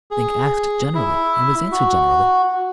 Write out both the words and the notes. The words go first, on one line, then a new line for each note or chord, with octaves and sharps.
Link asked generally, and was answered generally.
G#4
E4
F#4